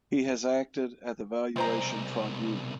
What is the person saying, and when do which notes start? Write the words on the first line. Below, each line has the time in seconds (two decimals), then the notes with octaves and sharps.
He has acted at the Valuation Tribunal.
1.56 C2 B2 G#3 C5 A#5